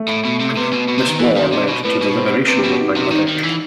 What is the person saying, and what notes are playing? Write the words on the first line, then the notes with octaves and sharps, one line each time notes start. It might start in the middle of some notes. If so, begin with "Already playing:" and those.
This war led to the liberation of Bangladesh.
Already playing: A3
A2
B2
C3
A3
C3 B3
B2
B2
C3
D#3
E3 A4
D#3
C3
B2
A2 B4
B2
C5
C3 B4
G4
B2
F#4
D#4
C3
D#3 D#4
D#3
E3